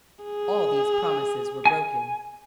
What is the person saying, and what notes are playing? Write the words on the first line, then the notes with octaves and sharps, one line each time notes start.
All these promises were broken.
G#4
G#5